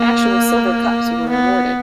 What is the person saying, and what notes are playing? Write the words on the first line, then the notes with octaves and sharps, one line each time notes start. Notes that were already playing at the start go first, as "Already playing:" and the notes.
Actual silver cups were awarded.
Already playing: A#3
B3